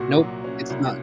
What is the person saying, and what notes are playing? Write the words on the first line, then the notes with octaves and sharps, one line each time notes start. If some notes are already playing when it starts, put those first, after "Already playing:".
Nope, it's not.
Already playing: C2 A#2 F#4
F#3
C#4
C2